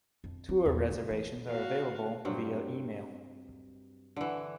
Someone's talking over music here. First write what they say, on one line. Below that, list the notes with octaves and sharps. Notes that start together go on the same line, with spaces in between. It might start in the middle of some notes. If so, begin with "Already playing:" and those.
Tour reservations are available via email.
F2
C4
E2
C3
E3
F#4 F5
G2 F#3 C4
D3 E3